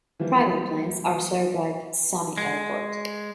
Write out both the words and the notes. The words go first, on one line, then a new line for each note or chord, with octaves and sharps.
Private planes are served by Sumy Airport.
E3 F3 G3 A#3
G#3